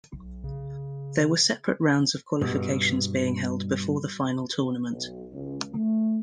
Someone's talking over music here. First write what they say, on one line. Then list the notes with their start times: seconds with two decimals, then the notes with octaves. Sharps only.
There were separate rounds of qualifications being held before the Final Tournament.
0.13 B1
0.44 C#3
2.41 G2 B2
4.90 B1
5.32 C#2
5.72 A3